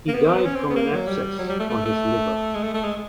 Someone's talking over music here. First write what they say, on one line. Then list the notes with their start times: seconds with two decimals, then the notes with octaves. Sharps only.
He died from an abscess on his liver.
0.08 A#3
0.14 B3
0.25 C4
0.34 B3
0.45 C#4
0.56 C4
0.70 B3
0.76 A#3
0.92 F#3
1.07 G3
1.39 F#3
1.49 G3
1.60 A3
1.70 A3
1.85 A3
2.55 G#3
2.63 A3
2.74 A3
2.84 G#3